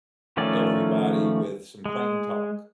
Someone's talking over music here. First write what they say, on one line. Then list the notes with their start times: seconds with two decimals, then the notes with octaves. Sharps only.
everybody with some plain talk.
0.37 D#3 F3 A3 C#4 D5
1.86 G#3